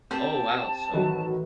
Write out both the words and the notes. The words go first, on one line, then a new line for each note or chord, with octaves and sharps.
Oh, wow, so
C4 G4 G5 A5 G6
A2 D#3 E3 F#3